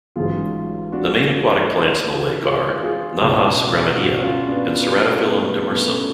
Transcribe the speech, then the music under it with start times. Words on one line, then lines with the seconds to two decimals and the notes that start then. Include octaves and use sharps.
The main aquatic plants in the lake are "Najas graminea" and "Ceratophyllum demersum".
0.16 A1 G#2 F#3 F4 G#4
0.92 D4 F#4
2.45 F4 G#4
2.83 F4 G#4
3.20 C#2 B2 F#3 F4 G#4
3.97 D4 F#4
4.22 C#4 F4
4.48 B3 D4
4.74 B3
4.98 A3
5.25 B3
5.49 B3
5.69 B3
5.88 A3 C#4